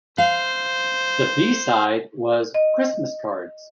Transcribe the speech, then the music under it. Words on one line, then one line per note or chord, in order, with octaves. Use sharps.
The B-side was "Christmas Cards".
C5 F5
D#5